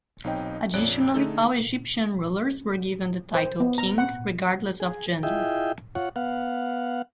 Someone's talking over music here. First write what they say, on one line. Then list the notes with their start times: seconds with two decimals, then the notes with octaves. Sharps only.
Additionally, all Egyptian rulers were given the title 'king', regardless of gender.
0.24 B1 C4 D#4 C#5 D#5 G5
0.73 A#1 F2 C#5 D5 F#6 D7
1.14 D3 A3 D#4 G#4 A4
3.35 C5
3.60 B3
3.78 A#5
3.98 F#5
4.80 G#4
5.23 E4 F4 G#4 D#5 E5 G5
5.95 F4 C#5 F#5
6.16 B3 F5 F#5